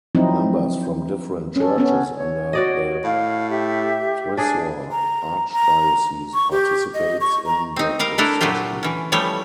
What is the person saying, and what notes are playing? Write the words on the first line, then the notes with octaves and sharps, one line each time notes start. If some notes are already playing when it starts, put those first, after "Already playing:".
Members from different churches under the Thrissur Archdiocese participates in the procession.
F3 F#3 C4 D#4 E4
C#4 A4
B3 C#4
C#5
F#4 D5 D#5
A2 F5
G4 E5
D4 G#4 A4 G#5
A#5
A#5
C#6
G4
D#5
C#6
A#5
C4 D#4
G3 A#4 F5 A#5
A3 D4 E4 A4 A#4
A#2 F#3 A3 E4 F4 G4
E3 C#4
E3 F3 G3 A3 C#5